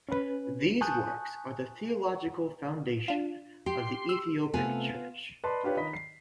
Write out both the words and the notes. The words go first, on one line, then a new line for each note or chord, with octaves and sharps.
These works are the theological foundation of the Ethiopic Church.
C#4 B4
G#5 A5 C#6 D#6 F#6 G6
D4 F4
G4 C6
E6
C3 A3 B3 F4 G#5
B4 D5 D#5 A5 B5 C6
D4 F4 G4 B4 C#5
D#3 D#5 B5 B6
C7